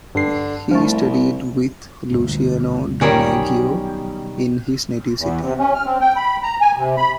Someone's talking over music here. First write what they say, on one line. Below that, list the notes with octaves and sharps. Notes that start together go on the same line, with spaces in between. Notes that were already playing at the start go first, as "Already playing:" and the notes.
He studied with Luciano Donaggio in his native city.
G2 D3 C7
C2 F3 A3
G1 D2 A#2
D#3 G3 C#4
B1
E2
C3
C#4
F6
C4
G5
B5
A#5
G#5
C3
B5